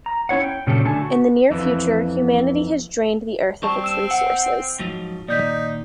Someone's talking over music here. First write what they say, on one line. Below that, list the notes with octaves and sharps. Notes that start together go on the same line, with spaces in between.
In the near future, humanity has drained the earth of its resources.
A#5
C#4 E4 C#5 F#5
G5
A#2 C#3 F#3 C#4 G4 A4
D3 A3 D4 G#5 A5
F#4
F2 E3
G3 C4 A5 C#6
E6 E7
F#5
G#2 F3 F#3
A#2 D#3 D#4 D5 G6 B6